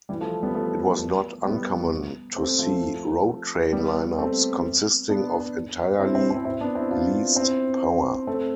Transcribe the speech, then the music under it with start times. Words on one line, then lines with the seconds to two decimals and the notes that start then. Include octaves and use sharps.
It was not uncommon to see road train line-ups consisting of entirely leased power.
0.09 E3 G3
0.21 F3 A3
0.43 G3 B3
0.54 F3 A3
1.45 G3 B3
2.36 A3 C4
2.59 F3 A3
3.73 G3 B3
4.18 A3 C4
5.09 B3 D4
6.00 C4 E4
6.15 C4 E4
6.31 C4 E4
6.45 C4 E4
6.61 B3 D4
6.75 C4 E4
6.91 D4 F4
7.36 C4 E4
8.27 A3 C4